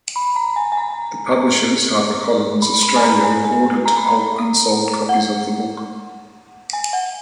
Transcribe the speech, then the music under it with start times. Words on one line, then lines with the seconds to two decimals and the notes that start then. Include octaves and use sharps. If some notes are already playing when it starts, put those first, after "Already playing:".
The publishers, HarperCollins Australia were ordered to pulp unsold copies of the book.
0.16 B5
0.36 A#5
0.56 G#5
0.72 G#5
0.77 A#5
2.62 B5
2.83 B5
2.96 G#5
3.03 A#5
3.24 G#5
3.44 G#5
3.86 A#5
3.97 B5
4.06 A#5
5.09 F#5
6.73 G#5
6.93 F#5